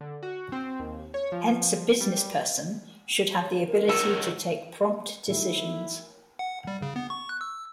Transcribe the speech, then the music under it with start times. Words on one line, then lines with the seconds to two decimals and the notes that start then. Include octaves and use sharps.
Hence, a businessperson should have the ability to take prompt decisions.
0.01 D3
0.23 F#4
0.52 C4
0.79 D#2
1.14 C#5
1.32 F3
2.01 G3
3.40 C#5
3.67 A#4
3.89 D#3 F#3 A4
5.28 D#3 F#3 A3 E4
6.39 F#5
6.67 G3
6.82 C#3
6.96 B3
7.10 C#6
7.29 F#6
7.41 E6